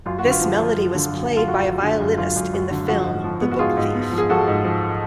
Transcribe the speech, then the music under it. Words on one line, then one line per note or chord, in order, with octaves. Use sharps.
This melody was played by a violinist in the film "The Book Thief".
F#2 F4
F#4
D3
F4
F3
F3
F#2
D3
F#2
F#2
F4
F#2 F#4
F#2
D3
F#2
F#2 F4
F#2
F#2
D3
F3 F#4
G#2
F3
B3
F#4
G#2 F4 G#4
G#2
B3
F3
G#4
F3 F#4 A4
G#2
F3